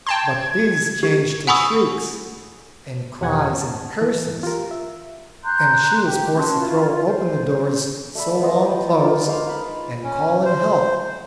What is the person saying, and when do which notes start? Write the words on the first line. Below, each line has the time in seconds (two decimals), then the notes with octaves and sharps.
But these changed to shrieks and cries and curses, and she was forced to throw open the doors so long closed and call in help.
0.07 G5 A5 C6 G#6
1.03 G4
1.47 F#5 G#5 B5 C#6 D#6 E6
3.21 E2 B2 G4 F#5 G#5 G#6
3.61 A5
4.01 E3
4.43 F4 G4 A#4
4.71 E5
5.44 A#5 C6 F#6 G6
6.05 G4
6.36 C#4 F#4 A5 C6
6.59 E4 F4
7.06 C5
8.15 A3 D5 E5 B5
8.41 B3 F4 C5 D#5
8.65 G5 B5
8.98 D#4 F4
9.27 G#3 A#3 C5 F5
9.46 F5 B5
10.04 C#4
10.45 C5